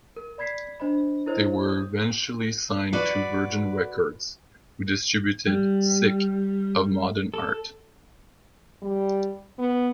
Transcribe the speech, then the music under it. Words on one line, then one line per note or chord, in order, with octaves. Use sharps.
They were eventually signed to Virgin Records, who distributed "Sick of Modern Art".
A#4
D5 B5 G#6 B6 C7
D4 C5 D#5 B5
E4 A#4 C5 C#5 D#5
D#6 G6
F#4 B4 D5
G3
A4
G3
B3